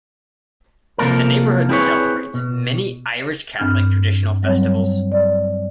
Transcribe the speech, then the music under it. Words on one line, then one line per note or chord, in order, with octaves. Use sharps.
The neighborhood celebrates many Irish Catholic traditional festivals.
C3 F3 A#3 A4 A#4
C4 E4 G#4 B4 C#5
B2
G2 C4 D4 F6
F#3 G3 C4 C#5
D5